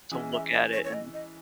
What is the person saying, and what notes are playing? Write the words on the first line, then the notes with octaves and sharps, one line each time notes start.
to look at it and,
E3 G#3 C#4 E4
E5
D#5
C#5
C#5
D#5
D#5